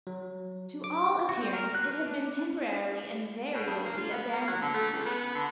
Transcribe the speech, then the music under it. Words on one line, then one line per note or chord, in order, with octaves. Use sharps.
To all appearance it had been temporarily and very lately abandoned.
F#3
D6
F#4
C4
A#4
F#6
B4
D4
B2
G2
A#3
F4
B3
A#3
F#3
D3
A3
C#2
B3
D3